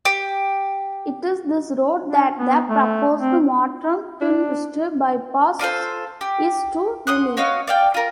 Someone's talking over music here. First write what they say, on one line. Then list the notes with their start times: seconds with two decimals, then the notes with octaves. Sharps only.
It is this road that the proposed Mottram-Tintwistle Bypass is to relieve.
0.05 G4
2.10 D4
2.37 B3
2.69 A3
3.19 C4
4.21 D4
5.59 D4 F4 A4 C5
6.21 G4
7.07 F#5 C6 D#6 F#6
7.37 F#4 C#5 D#5 F5
7.67 D5 F5 G5
7.94 F4 A#4